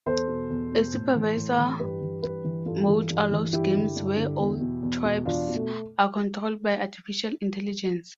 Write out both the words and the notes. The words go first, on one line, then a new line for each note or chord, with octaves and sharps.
A supervisor mode allows games where all tribes are controlled by artificial intelligence.
E2 A4 C5
B2
E2
B2
A2
E3
A2
E3
G2 G4 B4
E3
G2 G4 B4
E3
G2 F4 A4
E3
G2
E3
G2 E4 G4
D3
G2
D3
E2
B2
E2
B2
E2 D4 F4
B2
A3